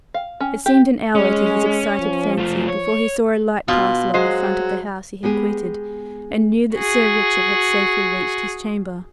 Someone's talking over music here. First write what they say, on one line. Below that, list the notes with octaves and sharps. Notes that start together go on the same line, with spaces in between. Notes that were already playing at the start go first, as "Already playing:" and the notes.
It seemed an hour to his excited fancy before he saw a light pass along the front of the house he had quitted, and knew that Sir Richard had safely reached his chamber.
F5
C#4
G4
G#3 C#4
F3
A3 F4
C#5
B2 F4
F#3 G#3 C5
G#3 B3 G4 G#4
F#4 G#4